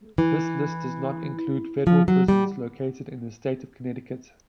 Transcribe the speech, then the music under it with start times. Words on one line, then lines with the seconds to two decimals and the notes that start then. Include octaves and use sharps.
This list does not include federal prisons located in the state of Connecticut.
0.18 E3
1.87 F3
2.08 F#3
2.28 G3